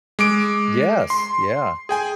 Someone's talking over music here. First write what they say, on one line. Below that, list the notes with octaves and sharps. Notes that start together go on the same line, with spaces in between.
yes. Yeah.
G#3 D6 D7
C6
G#4 G5 G#5